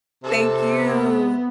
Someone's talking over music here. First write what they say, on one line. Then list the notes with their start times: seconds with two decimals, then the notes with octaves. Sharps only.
Thank you.
0.24 C3 A4
0.78 B3